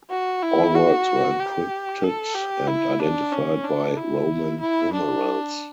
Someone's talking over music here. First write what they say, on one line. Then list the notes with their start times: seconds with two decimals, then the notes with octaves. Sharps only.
All works were encrypted and identified by Roman numerals.
0.10 F#4
0.42 E4
0.75 F#4
1.39 G4
2.03 A4
2.35 G4
2.67 E4
2.99 D4
3.32 C#4
3.64 D4
3.96 E4
4.60 E4
4.93 D4